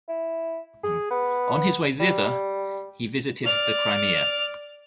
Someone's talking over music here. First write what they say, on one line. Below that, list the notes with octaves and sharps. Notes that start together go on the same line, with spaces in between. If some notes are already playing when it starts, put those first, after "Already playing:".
On his way thither he visited the Crimea.
E4
G#4
B3
G3
D5 F6